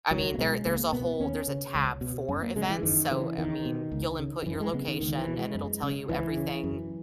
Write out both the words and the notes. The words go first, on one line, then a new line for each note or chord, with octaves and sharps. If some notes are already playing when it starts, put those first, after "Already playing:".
I mean, there there's a whole there's a tab for events, so, I mean, you'll input your location and it'll tell you everything,
C#2 F#3
A#3
B2 G#3
C#2 A#3
B2 B3
D#2 C#4
C#3
C#2
B2
F#2
A#3
C#3 G#3
E3
F#2 D#3
C#3 E3
E2 D#3
B2
C#2
C#3
D#3
F#2 E3
G#3
C#3 B3
D#3
C#2 D#3
E3
B2
G#3
F#2
C#3
C#2 E3
C#3
F#2